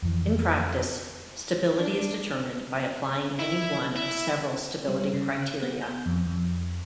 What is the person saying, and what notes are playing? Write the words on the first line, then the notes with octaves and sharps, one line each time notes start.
In practice, stability is determined by applying any one of several stability criteria.
F2 E3
D4
E4
E4
G3
C#3
F#6
B3
G6
F2
F2